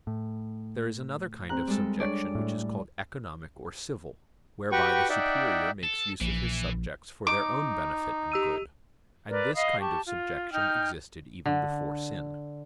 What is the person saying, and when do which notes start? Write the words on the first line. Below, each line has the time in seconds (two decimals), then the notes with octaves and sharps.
There is another kind of subjection which is called economic or civil, whereby the superior makes use of his subjects for their own benefit and good; and this kind of subjection existed even before sin.
0.07 A2
1.49 C4 A#5 F#6
1.67 G3 G#3 A4
2.00 D4 C#5 D5
2.35 A2
4.72 F#4 G4 B4 F#5 G5 C#6
5.09 D#4 D5 E5 F#5 G5
5.83 A4
6.21 A#1 E3
7.27 D#4 D6
8.32 G4 E6 D#7
9.29 A#4 B4 D5
9.55 D#5 F5 B5 D#6
9.80 G4 A5 C#6
10.05 F4
10.52 D#4 G5 F6
11.46 D3